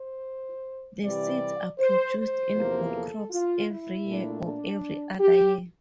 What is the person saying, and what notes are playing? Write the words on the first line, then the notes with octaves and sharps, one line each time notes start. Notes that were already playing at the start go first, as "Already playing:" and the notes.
The seeds are produced in good crops every year or every-other year.
Already playing: C5
C3 E3 G3 D5
C5
C5
E2 C3 F3 A#3
A4
F4
E4
A#2 A3 D4
D4
G4